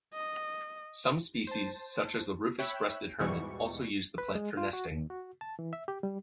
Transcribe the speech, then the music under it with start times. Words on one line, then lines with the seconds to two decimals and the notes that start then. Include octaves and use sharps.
Some species such as the rufous-breasted hermit also use the plant for nesting.
0.14 D#5
1.47 C5 A5
2.59 C#5 E5 G5 B5 E6 F#6
3.19 E2 G#2 B2 E3 G3 C#6
4.18 B4
4.35 G#3
4.57 F4
4.73 F#4
4.92 D#2
5.10 F#4
5.41 A5
5.59 E3
5.73 E5
5.88 G4
6.03 G3